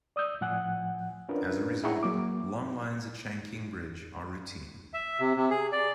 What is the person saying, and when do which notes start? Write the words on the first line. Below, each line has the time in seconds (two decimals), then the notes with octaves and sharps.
As a result, long lines at Shangqing Bridge are routine.
0.16 D5 D#6 E6 G6
0.41 A2 F3 F#5 G#5 F#6
1.29 C#4 D4 F4 A#4 B4
1.84 E4 G#4 F#5 G5 A#5 C#6
2.03 F#3 A#3 D6
4.94 E5
5.20 C3
5.37 C3
5.50 G#4
5.72 D5